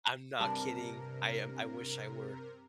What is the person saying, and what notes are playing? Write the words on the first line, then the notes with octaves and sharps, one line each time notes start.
I'm not kidding. I am I wish I were.
G2 C3 D4 A#4 D5